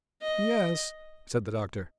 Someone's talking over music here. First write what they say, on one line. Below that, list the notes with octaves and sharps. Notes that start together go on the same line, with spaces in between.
"Yes," said the doctor.
D#5